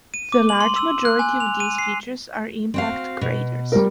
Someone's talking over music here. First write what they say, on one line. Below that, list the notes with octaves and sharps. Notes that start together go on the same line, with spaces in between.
The large majority of these features are impact craters.
D#7
D6
F#7
C6
E6
F#6
G#5
F7
D#7
C7
C4 F#4 F5
B2
G3 A#4